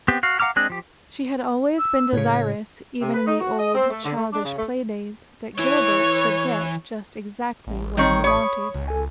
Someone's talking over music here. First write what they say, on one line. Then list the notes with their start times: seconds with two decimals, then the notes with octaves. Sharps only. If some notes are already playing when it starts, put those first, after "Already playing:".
She had always been desirous, even in the old, childish play-days, that Gilbert should get just exactly what he wanted.
0.08 B3 C4 G4
0.23 F#4 F5
0.40 F5 F#5 A#5 D6 F6
0.56 G#3 C4 D4 D#5 F#6
0.70 F3 G4
1.78 E6
2.13 A2 C#3 C#5
3.01 C3
3.14 B4
3.26 D#4
3.41 F#4
3.59 D#5
3.75 C4
3.90 A3
4.05 D3
4.17 A3
4.33 D4
4.45 C#3
4.58 A3
5.59 E3 C#5
7.67 A1
7.97 D#3 G3 C4 C#5 C#6
8.24 C#5 B5 C#6 D#6
8.74 C#2
8.88 A4 G#5